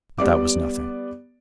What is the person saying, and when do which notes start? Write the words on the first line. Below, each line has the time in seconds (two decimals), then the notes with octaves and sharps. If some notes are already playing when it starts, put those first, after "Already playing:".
But that was nothing.
0.18 G3 B3 D5 D6